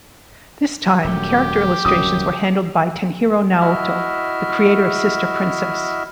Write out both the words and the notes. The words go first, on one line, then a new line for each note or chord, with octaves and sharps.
This time, character illustrations were handled by Tenhiro Naoto, the creator of "Sister Princess".
D#1 F#2 A3 G4
D1 C2 F#2 D#6
E4 F#4 D#5 E5 F6